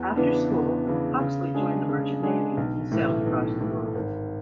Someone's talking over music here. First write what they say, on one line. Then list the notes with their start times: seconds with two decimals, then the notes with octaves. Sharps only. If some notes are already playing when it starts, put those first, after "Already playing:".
After school, Hawksley joined the Merchant Navy, and sailed across the world.
Already playing: E2
0.16 C#3 E3 B3 D4
0.50 E2
0.85 C#3 E3 B3 D4
1.19 C#3
1.54 G#3 D4 G#4
1.89 C#3
2.23 G#3 D4 G#4
2.57 B1
2.92 A2 E3 A3
3.26 B1
3.61 A2 E3 A3
3.95 G#1